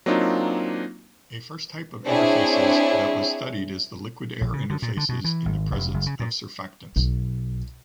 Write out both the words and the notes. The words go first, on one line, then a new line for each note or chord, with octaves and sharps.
A first type of interfaces that was studied is the liquid-air interfaces in the presence of surfactants.
F#3 A#3 C4 D4 D#4 F4
C4 D4 E4 G#4 C#5
A#1
C#3
D3
A#2
D3
B2
E3
G#1
F1
F#1
C#3
A#2
B1